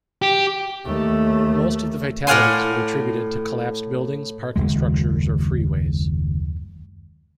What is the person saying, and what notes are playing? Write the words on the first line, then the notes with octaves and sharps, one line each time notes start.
Most of the fatalities were attributed to collapsed buildings, parking structures, or freeways.
G4
D#2 A3
A2 D5 F5 F#5 G#5 C6
F#1 D#2 G#3